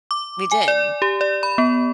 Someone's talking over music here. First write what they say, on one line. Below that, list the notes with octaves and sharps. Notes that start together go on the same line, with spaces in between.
We did.
D6
G#5
D5
G4
D5
B5
B3